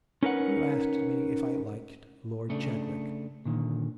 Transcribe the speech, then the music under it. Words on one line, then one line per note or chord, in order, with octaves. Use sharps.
You asked me if I liked Lord Chadwick.
C#4 D#4 A#4 B4 F5 F#5
C#3 A3 D4
A#2 D3 D#3